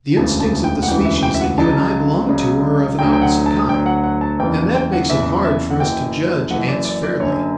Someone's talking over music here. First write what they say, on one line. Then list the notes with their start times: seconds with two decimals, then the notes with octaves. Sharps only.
The instincts of the species that you and I belong to are of an opposite kind; and that makes it hard for us to judge ants fairly.
0.17 E1 D2 C#3 E3 A5
0.40 A5
0.64 G5
0.83 F#5
0.87 E1 D2 C#3 E3 G5
1.05 E5
1.23 G5
1.34 E5
1.41 F#5
1.58 C#2 C#3 F#3 A5
2.28 C#2 C#3 F#3
2.99 D2 D3 F#3 G5
3.13 G5
3.22 F#5
3.46 A5
3.69 D2 D3 F#3 G5
3.86 F#5
4.04 F#5
4.21 A5
4.39 F#1 E2 C#3 E3 G5
4.75 G5
4.92 F#5
5.09 F#1 E2 C#3 E3 E5
5.45 E5
5.71 F#5
5.79 F#1 F#2 E3 G5
6.49 F#1 F#2 E3 F#5
6.68 D5
6.85 D5
7.03 D5
7.20 F#1 F#2 D3 F#3 C#5